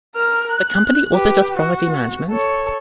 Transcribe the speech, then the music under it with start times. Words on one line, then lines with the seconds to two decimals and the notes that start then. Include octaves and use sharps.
The company also does property management.
0.15 A#4 F6
0.51 F#6
1.13 G4 B4
1.58 F#4
2.30 A4 C#5